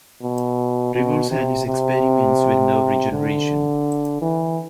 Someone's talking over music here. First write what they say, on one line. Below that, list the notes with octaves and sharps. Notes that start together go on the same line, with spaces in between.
Rivers and his experiments with nerve regeneration.
B2
B2
C3
C3
D3
E3